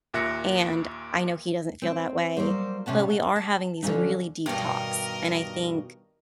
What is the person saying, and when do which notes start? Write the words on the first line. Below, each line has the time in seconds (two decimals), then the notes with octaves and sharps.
and I know he doesn't feel that way, but we are having these really deep talks, and I think
0.14 D#2 A#2 E5 F#6 A#6 C#7
1.82 C4
2.37 F#3 G3 A#3 C5
2.86 C3 C#4 F#5 A5
3.10 F#5
3.36 A5
3.83 D3 F3 A3 C#4 D#4
4.46 G2 B2 D#3 A#4 D#5